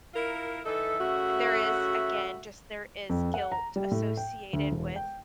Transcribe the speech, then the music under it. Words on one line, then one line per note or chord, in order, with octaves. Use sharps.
there is, again, just there is guilt associated with
E4 F4 A#4
E3 D#4 A4 E5
C#3 A3 F#4
F2
F#5
A#5
G3
A2
G5
D2
E1
G5